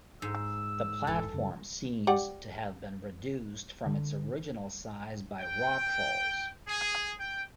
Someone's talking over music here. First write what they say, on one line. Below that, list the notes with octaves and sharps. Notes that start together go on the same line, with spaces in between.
The platform seems to have been reduced from its original size by rockfalls.
G#2 E6
E1 G#2 E3 A4
F#2 C#3
G4 D5 F#5
D3
G5
G#4
G5